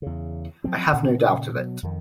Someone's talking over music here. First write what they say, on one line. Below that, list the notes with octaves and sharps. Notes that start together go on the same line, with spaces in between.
I have no doubt of it.
E2 C#3
F3 F#3 G#3 C4
A#2 C#3
B2 F#3
F2 D#3